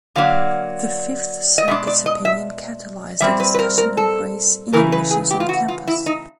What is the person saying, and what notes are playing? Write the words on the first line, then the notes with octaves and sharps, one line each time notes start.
The Fifth Circuit's opinion catalyzed a discussion of race in admissions on campus.
D3 F#3 A#3 D4 F5
D#5
B2 G#3 D4 E5
D5
D#5
E5
A#2 G3 C4 E5
B4
B4
A#4
A#4
A4
C#3 E3 A3 A#4
B4
G#4
G4
F4
F#4
F4
E4
D#4